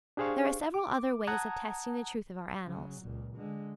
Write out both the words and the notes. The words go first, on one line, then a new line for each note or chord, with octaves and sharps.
There are several other ways of testing the truth of our annals.
D4 G4 G#4 C5 F5 C#6
D6
F#5 A5 A#5 D#6 F#6 G#6
C#3 F#3
C#2 A#2
D3 G#3